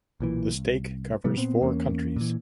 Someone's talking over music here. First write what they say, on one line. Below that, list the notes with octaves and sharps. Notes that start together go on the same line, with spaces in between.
The stake covers four countries.
B1 A#2 E3
C2
C3 F3 G3 B3
A#2 B3 C4
E2 A#3 C#4
A#2 E3